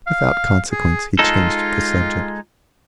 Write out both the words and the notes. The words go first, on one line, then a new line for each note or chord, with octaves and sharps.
Without consequence he changed the subject.
F5
G#4
G#3 D#4 F4 A4